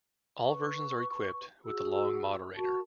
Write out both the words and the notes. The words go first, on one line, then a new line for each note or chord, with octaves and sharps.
All versions are equipped with the long moderator.
B4 C#6
F#4 G#4 E6
F#4 A#4 A5 C#6